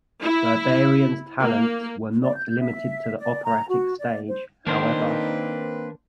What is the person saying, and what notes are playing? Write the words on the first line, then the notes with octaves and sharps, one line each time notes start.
Berbarian's talents were not limited to the operatic stage, however.
E4
A#3
D5
G6
E5
D5
A#5
F#4
D5
C5
D#3 A#3 C4 D4 D#4 B4 C5